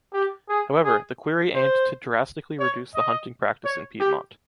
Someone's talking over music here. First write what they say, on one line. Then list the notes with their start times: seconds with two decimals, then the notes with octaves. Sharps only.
However, the query aimed to drastically reduce the hunting practice in Piedmont.
0.13 G4
0.49 G#4
0.84 G#4
1.54 C5
2.59 C#5
2.95 D#5
3.65 C#5
4.00 G4